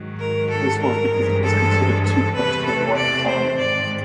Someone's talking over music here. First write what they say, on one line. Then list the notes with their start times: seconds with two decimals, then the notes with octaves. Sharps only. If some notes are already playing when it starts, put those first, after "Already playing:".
This was because it was considered too close to a white town.
Already playing: G#2 D#3 F#3
0.19 A#4
0.50 A4
0.80 A#4
1.11 G2 E3 G#3 C4
1.42 A4
2.03 A4
2.34 E2 C3 E3 A3 B4
2.64 A4
2.95 D5
3.26 C5
3.57 G#2 D#3 G#3 C4 D5